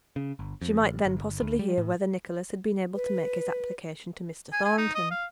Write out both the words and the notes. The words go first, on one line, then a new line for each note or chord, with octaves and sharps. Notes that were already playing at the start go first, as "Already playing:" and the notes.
She might then possibly hear whether Nicholas had been able to make his application to Mr. Thornton.
C#3
G1
F2
A1
G1
D2
G3
A2
B4
G#5
G#5
D#4
D#5
F5